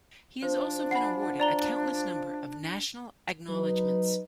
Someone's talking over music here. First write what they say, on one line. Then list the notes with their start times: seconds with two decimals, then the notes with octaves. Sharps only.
He has also been awarded a countless number of national acknowledgements.
0.42 F3 D4 C5
0.91 F#5 G#5 B5 C7
1.40 D5 A#5 G7
3.49 F#3 D#4 B4